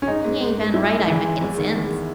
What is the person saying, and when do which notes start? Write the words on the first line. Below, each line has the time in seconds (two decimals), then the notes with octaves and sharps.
He ain't been right, I reckon, since.
0.02 C#4
0.07 G#2 D#4
0.24 G#2
0.40 G#2
0.58 G#2
0.73 G#2 E4
0.91 G#2
1.08 E3
1.25 G#2
1.41 E2
1.58 D#3
1.74 E2